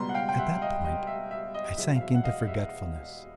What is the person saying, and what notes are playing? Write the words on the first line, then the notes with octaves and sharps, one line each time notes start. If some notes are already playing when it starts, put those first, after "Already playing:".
At that point I sank into forgetfulness.
Already playing: C#2 B2 G3 B3 A#5 C6
F#5
F5 G5
G5
E5 F#5
D#5 F5
D#5
E5
E5
D#5
E1 E2 B2 F#3 E5
F5
E5
F#5
D#5 F5
E5